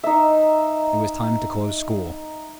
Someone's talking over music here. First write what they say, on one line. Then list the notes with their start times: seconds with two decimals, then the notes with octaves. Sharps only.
It was time to close school.
0.04 D#4 E5